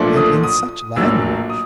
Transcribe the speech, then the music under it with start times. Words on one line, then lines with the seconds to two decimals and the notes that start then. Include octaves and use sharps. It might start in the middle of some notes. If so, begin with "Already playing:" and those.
And in such language!
Already playing: B1 A#2 F3 A3 D4
0.16 D#6
0.43 D#6
0.96 A#1 A2 F#3 A#3 D4 E6
1.50 D#6